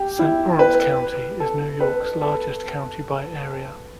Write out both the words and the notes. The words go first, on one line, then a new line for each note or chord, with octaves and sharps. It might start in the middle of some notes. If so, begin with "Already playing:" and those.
Saint Lawrence County is New York's largest county by area.
Already playing: G4
E4
B4
A4
B4
A4